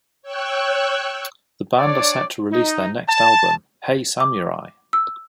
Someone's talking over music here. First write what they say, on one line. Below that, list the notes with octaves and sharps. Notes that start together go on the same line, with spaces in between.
The band are set to release their next album, Hey Samurai!
C#5 G5 C#6 E6 F#6
D4 C#5 D5
D#4
A5
D6
E6